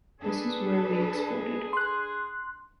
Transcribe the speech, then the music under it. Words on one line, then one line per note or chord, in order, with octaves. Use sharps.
This is where we exploded!
D4 G#4 A4 B4
C6 F#6